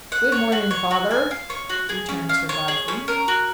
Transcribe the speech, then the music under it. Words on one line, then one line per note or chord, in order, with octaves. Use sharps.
"Good-morning, Father," returned Sir Godfrey.
F#5
C#5
F#4
C#5
F#4
G#5
F5
C#5
F#4
G#4
C#4
F5
C#5
G#4
C#4
A#4
F#4